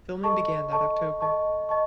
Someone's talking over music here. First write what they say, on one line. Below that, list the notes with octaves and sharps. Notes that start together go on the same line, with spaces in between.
Filming began that October.
A4 D#5 A5 C#6
A4 D#5 A5 C#6
A4 D#5 A5 C#6
D#5 A5 C#6